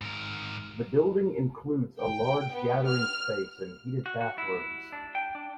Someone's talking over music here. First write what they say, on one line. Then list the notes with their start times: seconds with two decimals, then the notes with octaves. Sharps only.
The building includes a large gathering space and heated bathrooms.
0.01 G#2 A#4
2.01 G5
2.53 B3
2.88 F6
4.06 F#4
4.21 F#4
4.38 E4
4.92 D4
5.15 G5
5.35 D4